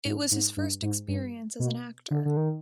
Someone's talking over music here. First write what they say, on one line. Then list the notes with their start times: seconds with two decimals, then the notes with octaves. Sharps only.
It was his first experience as an actor.
0.05 G#2
0.31 G#2
0.57 G2
0.82 G#2
1.08 G2
1.60 B2
2.11 D3
2.25 D3
2.37 D#3